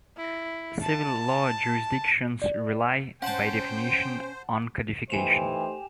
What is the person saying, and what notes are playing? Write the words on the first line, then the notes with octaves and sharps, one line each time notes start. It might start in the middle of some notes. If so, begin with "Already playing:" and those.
Civil law jurisdictions rely, by definition, on codification.
E4
A5
D5
C#4 C5 F#5 G5 A5
E3 A3 D#4 G4 C5 G#5 E7 F7